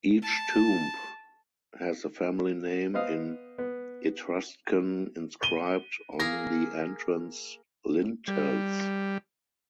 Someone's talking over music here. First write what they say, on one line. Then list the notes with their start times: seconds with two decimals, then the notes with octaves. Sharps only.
Each tomb has the family name in Etruscan inscribed on the entrance lintels.
0.22 A5
2.94 B3 C5 D#5 F5 D#6
3.58 B3
5.43 D#7 G7
6.19 A#3 G#4 A#4 A#6
8.28 G3